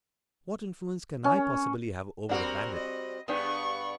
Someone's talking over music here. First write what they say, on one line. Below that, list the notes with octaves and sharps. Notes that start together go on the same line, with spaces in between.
"What influence can I possibly have over a bandit?"
C#4
G3 C4 D4 F#4 A#4 F#5
D#5
G2 B3 D4 G4 G#4 C#6